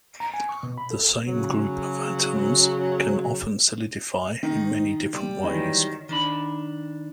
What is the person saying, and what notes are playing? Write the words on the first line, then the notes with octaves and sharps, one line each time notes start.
The same group of atoms can often solidify in many different ways.
A#5
G#5
C#6
B2
B5
A4
C#3 F#3
D#3 D#4
G3
D#3 E3 F#3
D#3 D4 B5